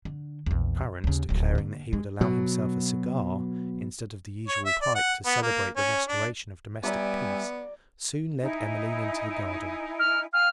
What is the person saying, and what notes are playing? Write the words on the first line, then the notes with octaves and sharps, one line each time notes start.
Clarence, declaring that he would allow himself a cigar, instead of the usual pipe, to celebrate the restoration of domestic peace, soon led Emmeline into the garden.
D3
A#1 E2
D#2 C#3
D1 F#3
D3 A#3
G#3
B2 F#3
C#5
E5
D5
F#5
B3
A#3
C#4
D4
G3 B3 D5 E5 G#5 A#5 D6
D#4 E4 G#5
F6
F5 G5 G#5 F6